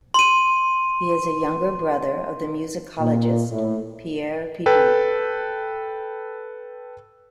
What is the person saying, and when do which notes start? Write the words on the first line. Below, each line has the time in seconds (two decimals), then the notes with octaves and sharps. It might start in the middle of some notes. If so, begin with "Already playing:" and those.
He is a younger brother of the musicologist, Pierre Pidoux.
0.14 C6 D#7
3.00 A#2
3.50 A2
4.66 A4 B4 G5